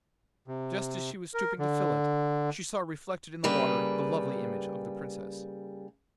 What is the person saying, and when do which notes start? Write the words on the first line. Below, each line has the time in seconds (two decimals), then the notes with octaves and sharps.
Just as she was stooping to fill it, she saw reflected in the water the lovely image of the Princess.
0.48 C3
1.34 A#4
1.59 D3
3.44 C#3 G3 A#3 B4